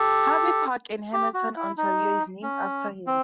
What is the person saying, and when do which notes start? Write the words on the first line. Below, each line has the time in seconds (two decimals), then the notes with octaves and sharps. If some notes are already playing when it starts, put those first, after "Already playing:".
Harvey Park in Hamilton, Ontario, is named after him.
Already playing: G4 A4
1.13 G4
1.34 F#4
1.56 E4
1.78 D#4
2.43 C#4
3.07 C4